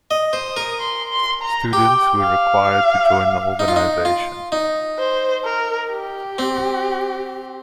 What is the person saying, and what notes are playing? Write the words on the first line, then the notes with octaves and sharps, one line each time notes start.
Students were required to join the organisation.
D#5
C5 D#6
A#4
C6
C6
A#5
G4 G5
F5
D#4
F4
D#4
F4
D#4
C5
A#4
G4
C4